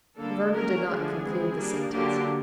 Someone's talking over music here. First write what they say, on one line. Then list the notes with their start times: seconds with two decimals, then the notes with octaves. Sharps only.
Vernon did not conclude the sentence.
0.18 D3 G3 A#3 D4 A4
0.52 F#3 A#3 C#4 A#4
0.87 D3 F3 A3 D4 G#4
1.21 E3 G#3 C4
1.56 G3 A#3 D4
1.91 D3 F#3 A#3 D4 G4